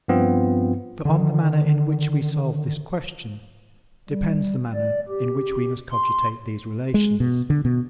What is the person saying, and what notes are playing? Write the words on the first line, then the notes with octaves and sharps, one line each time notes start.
For, on the manner in which we solve this question depends the manner in which we must cogitate these relations.
G2 F3 B3 C4 F4
D3 D#3
G3
D5
G4
C6
G#3
B2
D3
B2